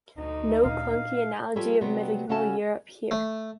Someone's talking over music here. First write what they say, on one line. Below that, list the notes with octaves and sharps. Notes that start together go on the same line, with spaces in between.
No clunky analogy of medieval Europe here.
D2 D#4
A#2 D4 F5
F3 G3 G4 A4 B4 C#5
C3 F#3 G3 B3
C#3 C#4 F#4 A4 F5 A5
A3